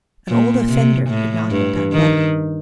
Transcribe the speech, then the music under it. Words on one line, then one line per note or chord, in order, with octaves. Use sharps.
An old offender could not have done better.
A#2
C3
A2
G2
D#3